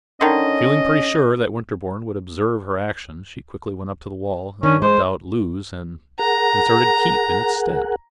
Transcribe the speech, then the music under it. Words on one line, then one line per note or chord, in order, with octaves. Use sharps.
Feeling pretty sure that Winterborne would observe her action, she quickly went up to the wall, rubbed out "lose" and inserted "keep" in its stead.
D3 D#3 C#4 D#5
D#3 C#4 D4
G#3 C5
G#4 A#4 F#5 A#5